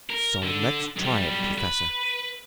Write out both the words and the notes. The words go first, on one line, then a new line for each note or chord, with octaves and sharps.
"So let's try it, professor."
A#4
D3
B1 G3
B4